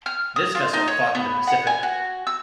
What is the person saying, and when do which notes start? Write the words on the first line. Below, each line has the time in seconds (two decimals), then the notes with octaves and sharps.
This vessel fought in the Pacific.
0.06 F6
0.36 D#6
0.55 F4
0.73 D#4
0.88 C#5
1.15 B3
1.47 F#5
1.67 G#5
1.83 F#4
2.27 E6